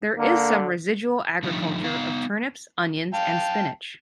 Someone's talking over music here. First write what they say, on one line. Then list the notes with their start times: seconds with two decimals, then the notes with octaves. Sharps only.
There is some residual agriculture of turnips, onions and spinach.
0.17 D3 A#3
1.43 D3 F3 A3 C#4 D#4
1.84 B3 D#4 F5
3.14 F5 G5 A5